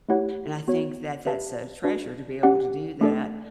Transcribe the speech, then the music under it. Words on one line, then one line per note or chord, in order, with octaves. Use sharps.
and I think that that's a treasure to be able to do that.
A3 E4 G4 C#5 F#5
B3 F#4 C#5
C#4 G4 B4 E5 A5
D4 F#4 B4 D5
C#4 G4 D5 F#5
A3 D4 A4 D5